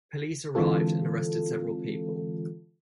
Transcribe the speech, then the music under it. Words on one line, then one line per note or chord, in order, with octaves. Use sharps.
Police arrived and arrested several people.
D3 E3 G#3 C4 F4 A4